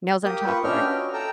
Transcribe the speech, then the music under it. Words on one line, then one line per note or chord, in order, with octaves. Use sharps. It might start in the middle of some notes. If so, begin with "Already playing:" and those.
nails on a chalkboard,
A#3 G4 D#6
F4 B4 C#6
C#4 D4 D#5 E5 G5 F6
F#4
A4 G5 A#5 E6